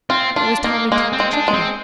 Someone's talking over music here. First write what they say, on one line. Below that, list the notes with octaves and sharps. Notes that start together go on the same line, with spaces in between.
It was Tommy Tit the Chickadee.
C4 F4
D4 F4
A#3 D#4
G#3 A#3
C4
G#3
D4
G#3
C4